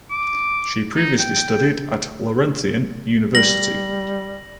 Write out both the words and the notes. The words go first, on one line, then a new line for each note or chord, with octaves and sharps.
She previously studied at Laurentian University.
D6
D#4
G5
G3 A#6 F#7